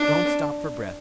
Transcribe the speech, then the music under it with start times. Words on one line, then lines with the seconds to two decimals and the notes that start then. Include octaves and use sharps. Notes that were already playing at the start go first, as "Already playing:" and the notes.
Don’t stop for breath.
Already playing: D4